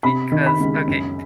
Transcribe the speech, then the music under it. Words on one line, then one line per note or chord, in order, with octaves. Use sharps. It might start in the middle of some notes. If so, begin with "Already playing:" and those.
because okay
C3 B5
D#3
B5
C#2
F#2